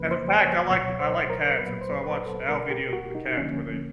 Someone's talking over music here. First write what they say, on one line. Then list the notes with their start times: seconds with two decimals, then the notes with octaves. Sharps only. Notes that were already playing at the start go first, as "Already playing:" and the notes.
and in fact, I like t I like cats, and so I watch owl videos with the cats where they
Already playing: F2 C#3 F3 A#3 B4
0.11 C5
0.40 C#5
0.70 C#2 B2 F#3 C#5
1.00 C5
1.30 A#4
1.59 A#2 F#3 B3 B4
1.81 C5
2.04 B4
2.26 A4
2.48 B2 G3 B3 A#4
2.70 G4
2.93 F#4
3.15 D#4
3.37 D#2 D3 F3 A#3 C#4